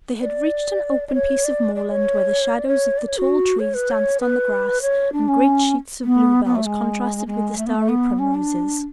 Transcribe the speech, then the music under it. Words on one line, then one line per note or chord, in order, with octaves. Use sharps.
They had reached an open piece of moorland, where the shadows of the tall trees danced on the grass, and great sheets of bluebells contrasted with starry primroses.
D5
D5
C#5
D5
D5
C#5
D5
C#5
D5
C#5
F#4
C#5
B4
C#5
B4
C#5
D4
C#4
B3
B3
A3
G#3
G#3
A3
B3
A3
B3
C#4
D4